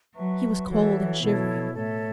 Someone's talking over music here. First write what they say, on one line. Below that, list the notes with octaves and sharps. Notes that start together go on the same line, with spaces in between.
He was cold and shivering.
F#3 B4 E5 A5 C#6
E3 F#4 A4 C#5 E5
B2 E4 A4 C#5
A2 A4 C#5 E5